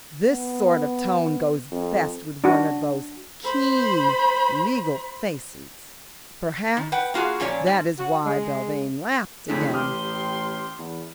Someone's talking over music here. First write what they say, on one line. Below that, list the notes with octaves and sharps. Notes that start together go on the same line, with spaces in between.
This sort of tone goes best with one of those keen legal faces; perhaps that is why Belvane laughed again.
B3
F2
D4 F#4
C5 B5
D#3
B4 F#5 G5
A#3 F4 F#4 G#4
A#2 F3 C#4 C#5 D5
G#2
F#4
G#3
F2 A2 D3 G#3 B6
A1 G4 C6 D#6 F6
E2